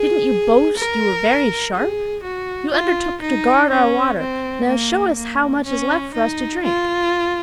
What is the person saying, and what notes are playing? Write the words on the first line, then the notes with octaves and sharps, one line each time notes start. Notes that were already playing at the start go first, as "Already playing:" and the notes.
Didn't you boast you were very sharp? You undertook to guard our water; now show us how much is left for us to drink!'
Already playing: G#4
A#4
G#4
F#4
F4
D#4
C#4
C4
A#3
A#3
C#4
D#4
F4